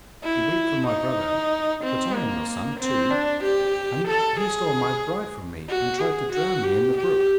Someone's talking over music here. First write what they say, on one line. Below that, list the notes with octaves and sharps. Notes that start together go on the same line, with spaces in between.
You weep for my brother, but I am your son too, and he stole my bride from me and tried to drown me in the brook.
E4
D#4
C4
A#3
C4
D4
G4
A4
G#4
F#4
G#4
F#4
G4
G4